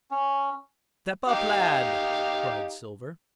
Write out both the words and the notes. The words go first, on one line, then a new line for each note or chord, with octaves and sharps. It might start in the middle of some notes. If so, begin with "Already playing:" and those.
"Step up, lad," cried Silver.
C#4
D#4 G4 F5